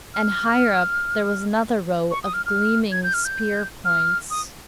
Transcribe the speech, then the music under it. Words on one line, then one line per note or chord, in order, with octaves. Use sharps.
And higher up there was another row of gleaming spear-points.
F6
C#6
D#6
F6
F6
G#6
G6
F6
G6
F6
D#6